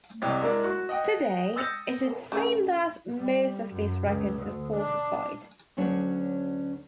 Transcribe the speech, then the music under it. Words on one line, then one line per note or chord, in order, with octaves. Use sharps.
Today it would seem that most of these records were falsified.
C2 C3 G4 C#5 D#5 A6
G#3 A#3 D4 E4 A#4 D5
F#4 C#6
D#5 F#5 G5
D#6 E6 G6 A6 A#6 C#7
C#3 A3
G3
F#2
C#2
D2
D4
D2 F#3 C#4 D4 C#5